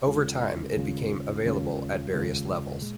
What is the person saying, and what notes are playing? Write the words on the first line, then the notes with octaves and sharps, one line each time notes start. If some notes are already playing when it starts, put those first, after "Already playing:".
Over time it became available at various levels.
D#2 C#3 G#3 C#4 F4
D#2 C#3 G#3 C#4 F4
D#2 C#3 G#3 C#4 F4
D#2 C#3 G#3 C#4 F4
A#2 G#3